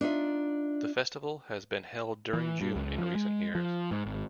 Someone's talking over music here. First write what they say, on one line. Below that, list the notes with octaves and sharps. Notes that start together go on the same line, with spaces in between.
The festival has been held during June in recent years.
D4 D#4 F4 E5
E3
G2
C#2
F3
G#3
F3
G#2
G#1